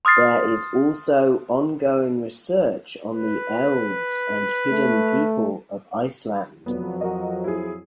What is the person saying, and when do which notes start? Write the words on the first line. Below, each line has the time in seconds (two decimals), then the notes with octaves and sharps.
There is also ongoing research on the elves and hidden people of Iceland.
0.05 C6 D#6 F6 A6 C7
3.11 B4
4.71 A3
6.66 F1 F2 F3 F#3 B3
7.01 F#4 A#4 D#5
7.44 E4 G#4